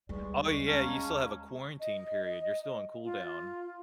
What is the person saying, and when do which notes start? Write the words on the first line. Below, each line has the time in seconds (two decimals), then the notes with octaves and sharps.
Oh, yeah, you still have a quarantine period. You're still on cool down.
0.09 D#2 G3 G#3 B4 D5 C#6
0.67 C#4 F5 A5 A#5
1.80 D#5
3.04 F4